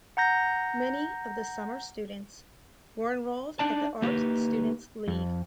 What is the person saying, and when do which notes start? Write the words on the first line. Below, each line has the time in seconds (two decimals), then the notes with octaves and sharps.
Many of the summer students were enrolled at the Art Students League.
0.17 F#5 A#5 G6 A#6
3.59 D4 D#4 D5 A5
4.02 A#3 D#4 G4 B4
5.08 F2